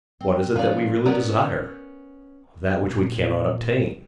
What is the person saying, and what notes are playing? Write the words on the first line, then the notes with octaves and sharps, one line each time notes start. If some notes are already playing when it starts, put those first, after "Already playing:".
What is it that we really desire?--that which we cannot obtain.
C4
F3 C#4 B4 D5 F5
B3 C#4 A#4 D5
A#2